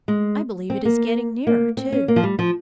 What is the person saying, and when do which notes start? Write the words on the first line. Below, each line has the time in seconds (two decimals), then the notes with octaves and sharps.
"I believe it is getting nearer, too."
0.08 G#3
0.70 C4
0.85 A#3
1.47 A#3
1.77 C4
1.92 C#4
2.08 A#3
2.16 F3
2.23 G3
2.39 F3